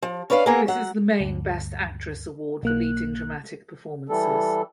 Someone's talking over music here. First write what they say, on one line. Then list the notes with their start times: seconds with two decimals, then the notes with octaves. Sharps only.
This is the main best actress award for leading dramatic performances.
0.02 F3
0.30 C#4 D4 B4 D5 F5
0.46 A#3 B3 E4 G#4 A#4
0.68 F#3 F#5
1.20 D2 G2
2.63 B1 A#3 F#6
4.09 E3 G3 A4